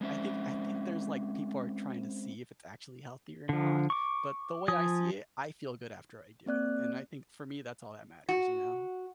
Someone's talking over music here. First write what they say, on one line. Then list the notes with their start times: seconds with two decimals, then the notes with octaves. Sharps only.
I think I think there's, like people are trying to see if it's actually healthy or not, but the way I see it, I feel good after I do it, and I think, for me, that's all that matters, you know?
0.01 G#3 C4 C#4 E5
3.49 D3 F3
3.90 C#6 D6
4.68 F3 G#5 D#6
6.46 A#3 C4 D5 F#6
8.29 F#4